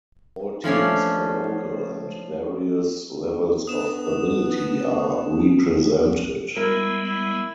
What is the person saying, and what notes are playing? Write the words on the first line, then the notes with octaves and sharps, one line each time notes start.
All teams are local and various levels of ability are represented.
F3 A3 C#4 D4
B3 D4 D#6 E7
G3 G#3 B3 E4 A#4
E4